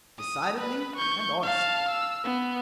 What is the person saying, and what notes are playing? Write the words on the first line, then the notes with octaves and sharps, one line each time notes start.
"Decidedly and honestly."
D#6
B4
C#6 G6
F5 A5
E6
B3